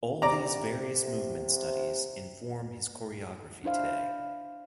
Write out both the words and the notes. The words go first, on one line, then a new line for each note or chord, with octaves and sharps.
All these various movement studies inform his choreography today.
C3 D5 A#5
D4 E4 C5 F5